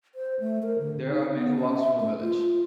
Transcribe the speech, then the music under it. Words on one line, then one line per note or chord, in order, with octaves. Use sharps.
There are many walks from the village.
C5
A3
A#4
D3
D#4
B3
C#4
E5
A3
F4